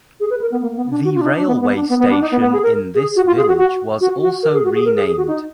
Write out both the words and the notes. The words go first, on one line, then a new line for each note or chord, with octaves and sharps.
The railway station in this village was also renamed.
G#4
B4
A#4
B3
A#3
B3
D4
F#4
F4
D4
D#4
D4
B3
B3
D4
B3
B3
D4
D#4
B3
B3
G#4
A#4
G#4
F#4
F4
G#4
F#4
F#4
F#4
F#4
A#4
G#4
F#4
G#4
A#4
G#4
G#4
F#4
D#4